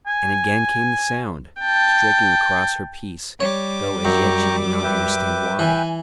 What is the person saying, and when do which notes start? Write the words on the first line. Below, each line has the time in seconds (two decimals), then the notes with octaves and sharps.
And again came the sound, striking across her peace, though as yet she did not understand why.
0.07 G#5
1.61 G5 A5
3.40 G3 C#5 D6
4.05 F#2 G5 A#5 C#6
4.84 B4 E5 G5
5.59 E3 G#5